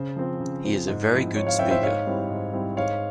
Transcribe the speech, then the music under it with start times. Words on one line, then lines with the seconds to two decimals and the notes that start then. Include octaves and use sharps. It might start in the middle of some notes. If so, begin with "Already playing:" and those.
He is a very good speaker.
Already playing: C#3 C5
0.16 F3 C4
0.40 C#3
0.64 F3 C4
0.88 G#2
1.12 F3 C4 E4
1.35 G#2 C#5
1.47 C#5 F5
1.59 F3 C4 E4 E5 G5
1.71 C5 E5
1.82 G#2 C#5 F5
2.07 G3 C4 E4
2.29 G#2
2.53 G3 C4 E4
2.77 G#2 C#5 F5